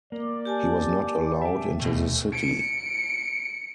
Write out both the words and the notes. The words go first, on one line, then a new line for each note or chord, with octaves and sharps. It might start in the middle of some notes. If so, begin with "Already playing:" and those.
He was not allowed into the city.
A#3 D5
G4 G#5 A5
E5 G5
D#2 B2 A3
C#7 D7